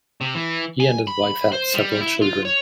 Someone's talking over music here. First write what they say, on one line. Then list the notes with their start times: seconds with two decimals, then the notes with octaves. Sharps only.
He and his wife had several children.
0.21 C3
0.35 E3
0.80 G#5
1.07 B5
1.52 C5
1.74 G3
2.01 E4
2.22 F4
2.45 C#5